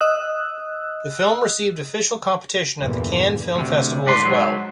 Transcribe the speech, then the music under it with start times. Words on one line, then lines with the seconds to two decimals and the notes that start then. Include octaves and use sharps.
The film received official competition at the Cannes Film Festival as well.
0.01 D#5 D#6 E6 F#6
2.78 E2 G2 A#2 D3 E3
3.56 D2 C3
4.06 G#2 D4 B4 C6
4.23 G#2 F#3